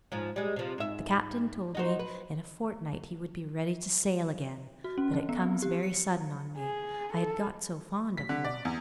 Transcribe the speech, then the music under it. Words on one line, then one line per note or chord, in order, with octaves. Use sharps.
"The captain told me in a fortnight he would be ready to sail again; but it comes very sudden on me, I had got so fond of you all."
G#2 F3
G3 G#3
C3 F3
G#2 E5
D#4 F#4 C5
B4
F#4
C#4
E3
B3
C4
G4
C#7
G#4
A4
B6
D3
D5
E2